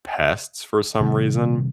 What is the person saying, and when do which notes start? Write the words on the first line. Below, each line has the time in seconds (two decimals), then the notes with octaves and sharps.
pests for some reason.
1.00 C3 D#3 F3 G3